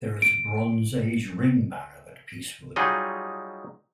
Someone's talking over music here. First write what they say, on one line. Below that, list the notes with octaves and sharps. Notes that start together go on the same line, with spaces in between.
There is a bronze age ring barrow at Peacewood.
D7
F#3 G3 D#4 F4 G#4 D#5